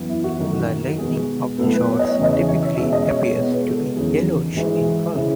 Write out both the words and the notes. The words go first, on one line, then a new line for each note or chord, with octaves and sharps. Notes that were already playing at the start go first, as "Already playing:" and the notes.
The lighting of the shots typically appears to be yellowish in color.
Already playing: F#2 E3 B3
E4
F#4
F#2 D#3 A3
F#4
B2 G#3 B3 G#4
A2 F#3 B3 A4
B4
C#5
D#5
C#5
E2 C#3 E3 D#5
C#5
C#5
E5
B2 G#3 C#4 E5
D#5
C#5
B2 G#3 B3 C#5
B4
A4
E2 D#3 F#3 C#4 G#4
G#2 E3 G#3 F#4
C#3 E3 G#3 C#4 E4